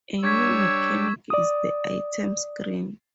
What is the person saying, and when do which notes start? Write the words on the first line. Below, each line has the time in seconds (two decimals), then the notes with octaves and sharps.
A new mechanic is the item screen.
0.24 G3 D4 C#5 C#6 E6 G#6 B6
1.30 D5 D#6